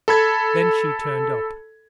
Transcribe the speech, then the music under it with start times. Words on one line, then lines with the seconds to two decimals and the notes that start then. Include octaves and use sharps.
Then she turned up.
0.08 A4 B5 G#6